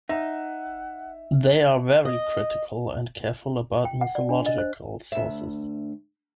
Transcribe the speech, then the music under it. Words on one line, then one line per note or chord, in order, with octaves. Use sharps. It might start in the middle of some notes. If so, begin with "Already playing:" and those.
They are very critical and careful about mythological sources.
D#4 E5 F#5
D#5
G5
F#5
D5
D4
D#5
C5
D2 E5